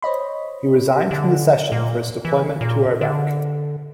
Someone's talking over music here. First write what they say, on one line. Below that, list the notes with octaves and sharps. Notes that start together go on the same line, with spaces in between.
He resigned from the Session for his deployment to Iraq.
C5 C#5 D#5 B5
D3
A#2
E3
A#2
D3